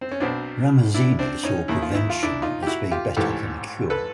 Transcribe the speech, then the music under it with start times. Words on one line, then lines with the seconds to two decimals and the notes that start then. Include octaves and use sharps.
Ramazzini saw prevention as being better than cure.
0.01 C4
0.12 C#4
0.20 B1 B2 C4 D4
0.94 D4 E4
1.19 C4 D4
1.43 C#4 D#4
1.68 D#2 D#3 E4
1.82 F4
1.95 E4
2.10 F4
2.23 D4 E4
2.42 D#4 F4
2.63 G4
2.67 E4 F#4
2.91 F4 G4
3.17 A1 G#2 E3 G4 A4
3.90 A4 B4